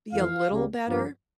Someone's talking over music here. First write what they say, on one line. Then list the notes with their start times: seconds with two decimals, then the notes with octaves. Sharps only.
be a little better
0.13 F2 E3 A3 F5
0.51 C#2 C#3 G3 A#3
0.88 G2 F3 A#3